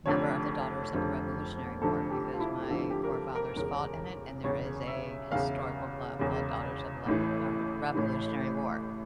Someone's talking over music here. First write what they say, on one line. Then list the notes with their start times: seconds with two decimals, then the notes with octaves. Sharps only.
member of the Daughters of the Revolutionary War because my forefathers fought in it and there is a historical club called Daughters of the lever lever Revolutionary War.
0.06 F1 F2 D3 F3 C#5
0.94 F1 F2 D3 F3
1.82 F1 F2 D3 F3 A4
2.11 G4
2.33 F4
2.40 E4
2.62 G4
2.69 F1 F2 D3 F3 F4
2.90 G4
3.04 A#4
3.12 A4
3.35 A#4
3.56 E1 E2 C#3 A#4
4.44 E1 E2 C#3 C#5
4.88 E5
5.32 E1 E2 C#3 F5
6.19 E1 E2 C#3
7.06 A1 A2 E3
7.95 A1 A2 E3